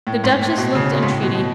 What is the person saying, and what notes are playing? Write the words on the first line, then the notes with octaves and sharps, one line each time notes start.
The Duchess looked entreaty.
A2
G#2
A2
B2
C#3
B2
G#2
A2
B2
B2